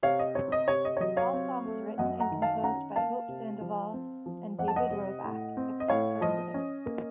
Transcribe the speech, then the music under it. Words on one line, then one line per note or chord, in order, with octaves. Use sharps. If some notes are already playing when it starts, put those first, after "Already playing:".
All songs written and composed by Hope Sandoval and David Roback, except where noted.
C3 C#5 F5
D#5
C4 C#5
D#5
C3 C#5
D#5
C#5
F#3 D#5
C#5 F5
C4
A3
F#2 D#5 F#5
F#5 A#5
D#3
F5 A5
C#4 F#5 A#5
A#3 F5 A5
C3
F3
C4
F3
F2 F#5
A5
D#5 F#5
C3
A2
C4
D#5
A2 C#5 F5
F3 D#5
C#4
A#3